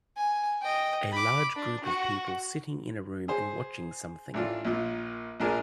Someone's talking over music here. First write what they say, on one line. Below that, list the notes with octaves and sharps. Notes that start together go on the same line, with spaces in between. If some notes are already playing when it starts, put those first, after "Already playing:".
A large group of people sitting in a room and watching something.
G#5
D#5 G5
B5 D6
D4
F#4
G#4 C5
A1 D4 F4
A#1 A#2 F4
A#1 A#2 G#3 D4 A#4 G#5